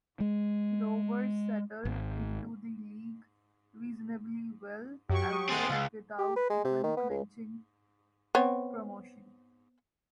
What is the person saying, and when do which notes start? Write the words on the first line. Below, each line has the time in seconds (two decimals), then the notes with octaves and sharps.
Rovers settled into the League reasonably well, albeit without ever clinching promotion.
0.20 G#3
1.85 G#1
5.09 F#2 F#3 G4 C#6
5.33 D#6
5.49 C4 G#4 F#5 C6 A6
5.69 C#2 F5
6.18 G4
6.36 B4
6.50 G#3
6.65 C3
6.83 D#3
6.97 B3
7.10 C#2
8.35 B3 C4 C#5